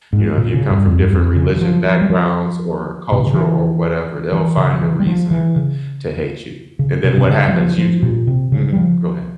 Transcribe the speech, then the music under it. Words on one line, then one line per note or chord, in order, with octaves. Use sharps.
You know, if you come from different religion backgrounds or cultural or whatever, they'll find a reason to hate you, and then what happens usually Mhm. Go ahead.
G#2
A#2
C#3
G2
F2
G2
F2
C#3
E3
F3
F3
G3
F3
A#2
C3
C#3
E3
E3
C#3
F3
E3
G3
F3
E3
C#3
C#3
C3
C3
C#3
G3
F3
F3
A#2
C3
C#3
G3
F3